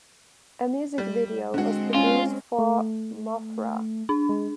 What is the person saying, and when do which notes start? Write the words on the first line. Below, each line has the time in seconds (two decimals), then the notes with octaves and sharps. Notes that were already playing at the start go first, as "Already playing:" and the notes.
A music video was produced for "Mothra".
0.98 G3
1.54 D3 G#3 C4 F#4
1.94 C#4 F4
2.58 A3
4.09 D4
4.29 G#3